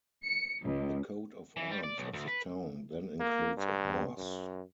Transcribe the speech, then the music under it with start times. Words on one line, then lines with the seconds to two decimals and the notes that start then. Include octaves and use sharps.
The coat of arms of the town then includes a horse.
0.24 C#7
0.62 C#2
1.57 E3
1.71 G3
1.84 D5
1.98 B1
2.13 D2
2.28 B4
3.20 A#3
3.57 G2
4.17 F#2